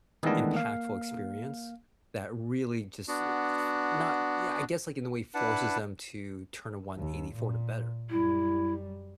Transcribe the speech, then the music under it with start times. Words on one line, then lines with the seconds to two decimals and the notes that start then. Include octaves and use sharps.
impactful experience that really just eh f not yeah. I guess, like, in a way forces them to turn a one eighty for the better.
0.23 D#3 E3 G#3 A3 B3 D4
0.56 A#3 F5
3.08 B3 D4 F#4
5.34 D4 E4 B4 F#5 A5
6.98 D#2
7.35 A#2
8.10 F#2 G3 E4